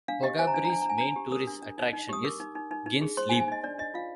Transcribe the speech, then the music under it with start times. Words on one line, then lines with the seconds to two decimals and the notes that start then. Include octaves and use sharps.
Boggabri's main tourist attraction is Gin's Leap.
0.08 D4 F5
0.23 G4 D#5
0.39 C5 G#5
0.47 A#5
0.54 D4 G#5
0.65 A#5
0.70 D4 G#5
0.82 A#5
0.86 D4 G#5
0.98 D4 A#5
1.07 G#5
1.16 G4
1.32 A#4 D#6
1.47 D4
1.62 D4
1.78 D#4
1.93 D#4
2.09 G4 D#6
2.24 A#4 D6
2.40 D#4
2.55 D#4
2.71 D#4
2.86 D#4
3.01 G#4
3.17 C5 C6
3.29 G#5
3.32 D#4
3.40 G#5
3.48 D#4 D#5
3.64 D4 D5
3.78 D4 D#5
3.94 F4 F5